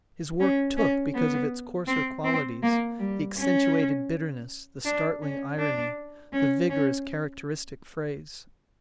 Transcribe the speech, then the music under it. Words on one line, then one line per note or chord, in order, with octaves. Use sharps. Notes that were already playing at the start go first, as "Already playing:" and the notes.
His work "took" because of its coarser qualities, the accentuated bitterness, the startling irony, the vigorous, characteristic phrase.
C#4
C#4
B3
C4
C4
A#3
G3
C#4
D4
C#4
D4
C#4
C#4